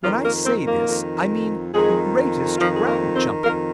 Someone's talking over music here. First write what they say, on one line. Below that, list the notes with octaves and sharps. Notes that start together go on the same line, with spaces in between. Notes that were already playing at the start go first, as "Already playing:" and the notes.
When I say this, I mean the greatest ground jumper.
F2 D#3 F3 F4
A#3 A#4
C4 C5
A#3 A#4
F2 D#3
F2 D#3 G#3 G#4
F2 D#3 F3 F4
G#4
A#3 A#4
C4 C5
F2 D#3 A#3 A#4